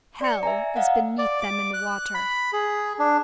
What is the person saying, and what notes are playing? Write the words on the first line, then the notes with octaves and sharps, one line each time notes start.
Hell is beneath them in the water!
D5 C#7
E5 G#5 A#5
D#5 F5 F#5
D5
D6
F#6
B5
G#4
D4